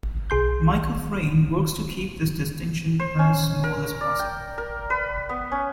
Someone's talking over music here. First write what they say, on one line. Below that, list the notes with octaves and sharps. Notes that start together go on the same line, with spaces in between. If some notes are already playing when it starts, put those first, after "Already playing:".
Michael Frayn works to keep this distinction as small as possible.
B1 G#4 C6 G6
C5
C#4
A#4
D5
G5
A#4
B4
B3
C#4